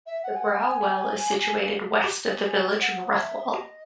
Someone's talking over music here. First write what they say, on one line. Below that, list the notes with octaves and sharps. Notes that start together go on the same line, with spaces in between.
The Brow Well is situated west of the village of Ruthwell.
E5
F#5
G#5
F#5
G#5
G#5
F#5
E5
D#5